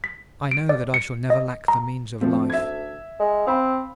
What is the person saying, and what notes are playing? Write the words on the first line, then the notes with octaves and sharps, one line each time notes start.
"I know that I shall never lack the means of life!"
B6
D7
D5
C#7
D#5
A#5
D2 F3 A3 C4
E5 G#6
G#3
C4 F5 B5